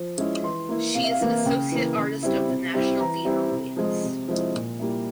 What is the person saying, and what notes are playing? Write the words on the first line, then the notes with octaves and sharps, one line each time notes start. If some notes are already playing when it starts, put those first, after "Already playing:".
She is an associate artist of the National Theatre Wales.
Already playing: F3
G#3 C#4 E4
E3 C6
A#3 E4
C3 F5
E5
F5
E3 A#3 E4
C#3 G5
E3 A#3
C#3
G3 C4 E4
C3
G3 C4 E4
E3 A#5
G3 C4 E4
C3
F3 G#3
C3
F3 G#3 E4
A#2
G3 A#3 E4